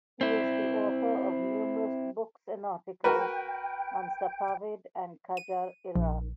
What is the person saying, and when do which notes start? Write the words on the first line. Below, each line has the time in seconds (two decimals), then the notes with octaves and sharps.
He is the author of numerous books and articles on Safavid and Qajar Iran.
0.21 C4 E4
3.04 F#4 A#4 B4 G5
5.37 D#7
5.96 A#1